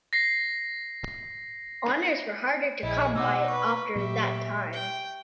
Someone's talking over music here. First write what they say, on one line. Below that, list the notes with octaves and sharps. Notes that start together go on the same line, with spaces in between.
Honours were harder to come by after that time.
A#6 C7
A#1 E4 G#4 D#5
B2 D#4 C5 F#5 D6 E6
B4 C#6
A#2 F#3 G4 E5
G5